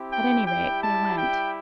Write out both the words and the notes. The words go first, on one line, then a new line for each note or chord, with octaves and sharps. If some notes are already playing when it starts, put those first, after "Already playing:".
At any rate, they went.
Already playing: C4 E4 G4
G5
G3 E4 G4 G5
A5
G5